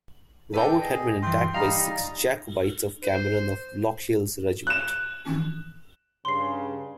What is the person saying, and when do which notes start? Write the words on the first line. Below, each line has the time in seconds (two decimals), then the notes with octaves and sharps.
Robert had been attacked by six Jacobites of Cameron of Lochiel's regiment.
0.54 D4 A4 B4 G5
0.81 G#4 D#5
1.22 G2 E3 G5 C6
1.54 G3 D#4 D#5 F5
3.03 C5
4.67 F#6 E7
6.25 G2 C#3 C6 C7